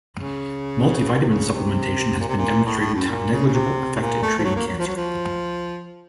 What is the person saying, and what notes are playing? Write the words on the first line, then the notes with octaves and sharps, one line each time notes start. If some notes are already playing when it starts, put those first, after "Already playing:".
"Multivitamin" supplementation has been demonstrated to have negligible effect in treating cancer.
C#3
A#2
C3
C#3
C3
A#2
C3
A#2
A2
A2
F#2
A#2
C#3
C#3
C3
A2
A#2
A3
F3
F#3
A#3
F#3
F3
F#3
F3